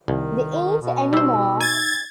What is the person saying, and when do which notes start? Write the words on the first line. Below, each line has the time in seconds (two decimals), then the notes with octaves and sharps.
There ain't any more.
0.08 C2 D#3
0.82 B2
1.13 G3 D#4 C5 E6
1.61 G#5 G#6 A6